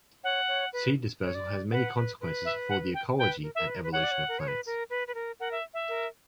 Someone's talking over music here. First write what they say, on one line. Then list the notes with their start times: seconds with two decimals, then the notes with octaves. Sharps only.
Seed dispersal has many consequences for the ecology and evolution of plants.
0.24 C#5 F#5
0.48 C#5
0.73 B4
1.24 C#5
1.35 D5
1.71 B4 F#5
1.95 B4
2.21 B4
2.45 E5
2.69 F#5
2.94 G5
3.19 B4 G5
3.43 A#4
3.55 A#4 E5
3.67 B4
3.76 A#4
3.83 B4
3.92 C#5 F#5
4.04 D5
4.11 C#5
4.28 A#4
4.39 C#5
4.48 B4
4.66 A#4
4.90 B4
5.08 B4
5.15 A#4
5.40 A#4 F#5
5.51 E5
5.74 E5
5.89 A#4